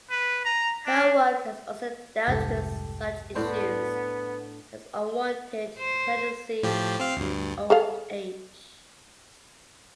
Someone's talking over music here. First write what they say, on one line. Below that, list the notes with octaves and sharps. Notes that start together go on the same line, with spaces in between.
Her work has also dealt with such issues as unwanted pregnancy and old age.
B4
A#5
D4
F1 C2 G#2 G4 A4
A2 B3 D4 C5
C5
A2 F3 G4
C4 F5
D2 G2
G#4 A4 F5